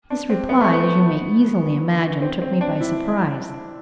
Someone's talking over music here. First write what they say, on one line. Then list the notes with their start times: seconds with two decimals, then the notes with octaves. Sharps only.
This reply, as you may easily imagine, took me by surprise.
0.10 D4
0.30 C4
0.49 B3
0.61 A3
0.73 B3
2.22 C4
2.42 C4
2.61 D4
2.81 E4